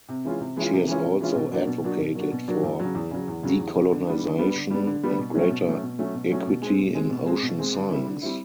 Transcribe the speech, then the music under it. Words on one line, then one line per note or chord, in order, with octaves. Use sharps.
She has also advocated for decolonization and greater equity in ocean science.
C3
E3 G#3 C#4 F4
C3
E3 G#3 C#4 F4
C3
E3 G#3 C#4 F4
C3
E3 G#3 C#4 F4
B2
F#3 A#3 D4 F#4
B2
F#3 A#3 D4 F#4
B2
F#3 A#3 D4 F#4
B2
F#3 A#3 D4 F#4
E2
C#3 F#3
E2
C#3 F#3
E2
C#3 F#3
E2
C#3 F#3
D3
G3 B3 D4
D3
G3 B3 D4
D3
G3 B3 D4
D3
G3 B3 D4
B2
F#3 A3 C#4
B2
F#3 A3 C#4
B2
F#3 A3 C#4
B2
F#3 A3 C#4
B2
G#3 C4
B2
G#3 C4
B2
G#3 C4
B2
G#3 C4
D3
G3 C4 E4
D3
G3 C4 E4